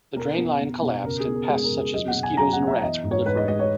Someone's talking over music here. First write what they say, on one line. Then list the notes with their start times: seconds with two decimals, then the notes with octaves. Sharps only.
The drain line collapsed and pests such as mosquitos and rats proliferated.
0.16 B2 A#4
0.38 B3
0.61 B3
0.82 B2
1.04 C#3 A#4
1.20 G#4
1.27 B3
1.35 A#4
1.49 G#3 G#4
1.63 A#4
1.71 C#3
1.79 G#4
1.93 F#3 D#5
2.08 F#5
2.15 B2
2.23 G#5
2.37 F#3 A#5
2.53 F#5
2.60 B3
2.67 E5
2.82 E3 D#5
3.03 G#2
3.11 C#5
3.26 G#2 B4
3.37 D#5
3.48 G#3 D#5
3.59 C#5